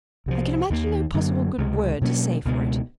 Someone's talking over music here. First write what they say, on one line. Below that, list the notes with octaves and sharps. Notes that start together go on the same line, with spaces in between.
I can imagine no possible good word to say for it.
C2 C3 F3
D#2 D#3 G3 A#3
F#2 D3 F#3 A#3
C#2 C3 E3 G#3
B2 F#3 A#3 C#4
C#2 B2 G#3